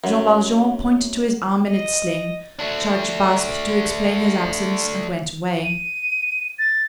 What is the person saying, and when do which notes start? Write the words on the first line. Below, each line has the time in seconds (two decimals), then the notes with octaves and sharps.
Jean Valjean pointed to his arm in its sling, charged Basque to explain his absence, and went away.
0.04 F#2
1.67 D#5
2.59 A3 D4
5.64 D#7
6.59 A6